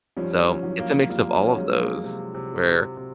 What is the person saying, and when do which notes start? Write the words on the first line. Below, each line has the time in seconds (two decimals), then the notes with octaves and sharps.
So, it's a mix of all of those where
0.17 F3 G3 C#4
0.47 C#4
0.63 E3 F#3
0.79 A#3
1.10 F3 G3 A#3
1.41 C#4
1.57 F#3 G#3
1.72 A#3
2.04 C3
2.35 C3
2.67 C3
2.97 C3